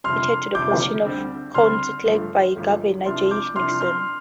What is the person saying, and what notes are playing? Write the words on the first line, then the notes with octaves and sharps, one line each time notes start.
Chris Flanagan was appointed to the position of County Clerk by Governor Jay Nixon.
G1 F2 C3 G3 C6 F6
G1 F2 C3 G3 D6 G6
D2 D3 G3 C4
D2 D3 G3 C4 C6 F6
G1 G2 F3 A3
G1 G2 F3 A3
C2 C3 F3 D4 C6 F6
D6 G6
C2 C3 F3 D4 C6 F6
C6 F6